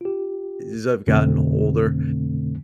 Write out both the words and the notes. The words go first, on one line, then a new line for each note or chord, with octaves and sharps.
as I've gotten older,
F4 G4
F2 B2 D3 A3 C4